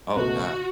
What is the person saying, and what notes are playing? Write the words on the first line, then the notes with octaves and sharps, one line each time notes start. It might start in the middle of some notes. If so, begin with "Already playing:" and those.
Oh god.
C#2 B2 A3 F#4